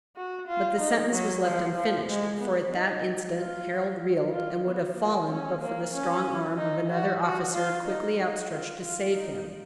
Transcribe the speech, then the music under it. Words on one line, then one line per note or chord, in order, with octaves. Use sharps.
But the sentence was left unfinished; for at that instant Harold reeled, and would have fallen but for the strong arm of another officer quickly outstretched to save him.
F#4
F4
D#4
F#3
F3
F3
G#3
B3
D#4
F4
F4
B3
A#3
C#4
A#3
C#4
D#4
F#4
F#4
F4
D#4
D#4
F4
F4
D#4